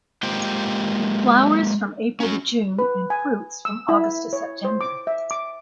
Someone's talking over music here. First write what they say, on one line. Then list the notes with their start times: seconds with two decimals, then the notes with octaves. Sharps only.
It flowers from April to June and fruits from August to September.
0.23 G#3 A#3 F4 G4 C5 G5
2.20 C#4 F#4
2.79 B4
3.10 G#5
3.65 E6
3.89 E4
4.33 C#5
4.65 C5
4.81 D6
5.07 E5
5.31 D6